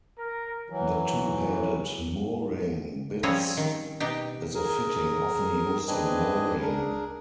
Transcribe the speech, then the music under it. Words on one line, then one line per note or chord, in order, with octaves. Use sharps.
The two-headed mooring bitts is a fitting often-used in mooring.
A#4
E3 F#3
F3 G3 C4 C#4 G#4 C#5
D#3
B2 D#4 G4
G#4 A#4
C4 D4 G#4 B4 D#5 G#5
D4 G#4 A#4